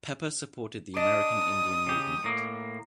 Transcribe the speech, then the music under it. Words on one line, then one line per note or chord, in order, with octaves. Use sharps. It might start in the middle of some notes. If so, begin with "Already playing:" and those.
Pepper supported the American Indian Movement.
D4 D#5 D#6
C#3 G4
A2 A#3